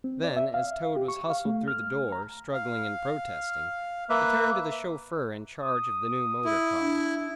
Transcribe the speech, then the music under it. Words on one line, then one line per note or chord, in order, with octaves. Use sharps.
Then, as Toad was hustled through the door, struggling and protesting, he turned to the chauffeur in charge of the new motor-car.
C4
D5
E5
F5
G4
C#6
F5
A3
F6
A#5
F5
A#3 B4 E5
D#6
E4
D4